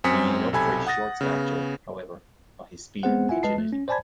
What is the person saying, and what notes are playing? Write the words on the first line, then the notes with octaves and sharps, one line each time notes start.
He made up for his short stature, however, by his speed and agility.
F#2 C4 G#5 D#6 B6 C#7
B1 C3 A4 G#5 B5 G#6
F#5 D#6 A6 A#6
C#3 B3
G#3 B3 C4 G#4 C5 F#5
E4 F4 E5 F#5 G#5
G#3 B4 D#5 A5 C7
A3
C#4
C5 D5 G#5 A5 B5 G#6